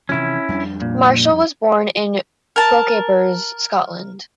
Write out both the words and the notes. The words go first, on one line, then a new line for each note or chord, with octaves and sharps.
Marshall was born in Fochabers, Scotland.
C3 E3 F3 C#4 E4
F2 G3 D4
A#2
A#4 A5